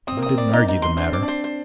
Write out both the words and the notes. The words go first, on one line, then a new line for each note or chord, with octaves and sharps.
I didn't argue the matter.
C4 D#6
A#3
C4 D#6
D5
D#4
D#4
C6
D4 C5
C4 D6
D4
C5
C5